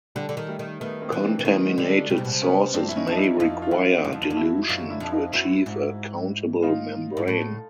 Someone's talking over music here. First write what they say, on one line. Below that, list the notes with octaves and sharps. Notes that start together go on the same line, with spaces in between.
Contaminated sources may require dilution to achieve a "countable" membrane.
D3 G3
D3
D#3
G3 A3
D#3
D#3 A3 B3
A#3 C4
E3
C4 D4
E3
D#3 B3 C#4
G#3
D3 G3
C#3 G3
C3
B2
C3
B3 C#4
G2 C4 D4
F#2 E4
C#4 D#4
F2
D#4
D4 E4
E2
F2 D#4 F4
F4
E2 E4 F#4
F#2 D#4 F4
F2
E2
F2
E4 F#4
F#2 D#4 F4
D4 E4
F2
D#4 F4
F#2 E4 F#4
G#2
D#4 F4
G#2
A2